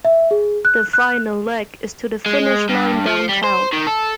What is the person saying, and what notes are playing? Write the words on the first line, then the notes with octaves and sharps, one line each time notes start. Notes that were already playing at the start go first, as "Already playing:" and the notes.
The final leg is to the finish line downtown.
E5
G#4
F#6
F#6
G#3
G2
F3
G3
C5
D#3
A4